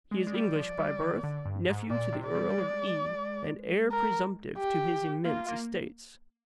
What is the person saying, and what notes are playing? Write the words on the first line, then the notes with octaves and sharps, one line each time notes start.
He is English by birth, nephew to the Earl of E., and heir presumptive to his immense estates.
G#3
G#3 D5
G3
F3
G3
D#3
D3
G2
G#2
A#2 D5
C3
D5
G3
G3
G#3
A#4
G4
A#3 F4
A#3